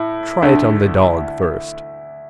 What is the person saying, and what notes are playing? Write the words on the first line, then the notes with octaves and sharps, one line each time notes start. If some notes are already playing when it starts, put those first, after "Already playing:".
Try it on the dog first.
Already playing: A2 E4
D2 D3 A3